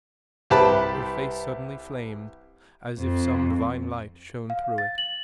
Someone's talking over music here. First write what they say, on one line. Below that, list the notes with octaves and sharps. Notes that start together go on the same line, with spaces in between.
Her face suddenly flamed, as if some divine light shone through it.
C2 G4 B4 C5 A5 B5
F2
F5
A6
F#7